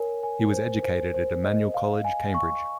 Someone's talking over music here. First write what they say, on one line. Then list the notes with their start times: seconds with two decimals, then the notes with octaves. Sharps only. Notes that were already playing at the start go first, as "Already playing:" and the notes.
He was educated at Emmanuel College, Cambridge.
Already playing: A#4 C#5 G#5
0.23 G#5
0.53 C5
0.83 C5
1.14 C5
1.44 D#5
1.74 F5
2.04 G#5
2.34 C#6